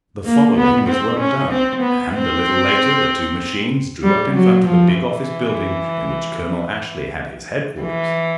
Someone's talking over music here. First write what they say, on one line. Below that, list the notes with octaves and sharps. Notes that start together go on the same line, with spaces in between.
The following was well done, and, a little later the two machines drew up in front of the big office building in which Colonel Ashley had his headquarters.
A#3
B3
C4
C#4
C4
B3
C4
G3
F#3
F3
E3
E3